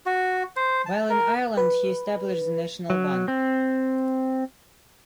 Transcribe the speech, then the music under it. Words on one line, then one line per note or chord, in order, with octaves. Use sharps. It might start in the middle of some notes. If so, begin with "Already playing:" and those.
While in Ireland he established the National Bank.
F#4
C5
A5
A#4
B4
F#3
C4